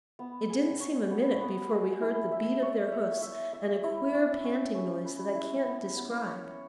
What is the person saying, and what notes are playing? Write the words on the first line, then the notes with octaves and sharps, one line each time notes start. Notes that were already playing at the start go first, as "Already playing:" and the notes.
It didn't seem a minute before we heard the beat of their hoofs and a queer panting noise that I can't describe.
B3
G#4
C#5
B3
B3
G#4
E4
E5
C#5
E5
E5
E5
E4
C#4
C#4
C#4
B4
E4
B3
B3
C#5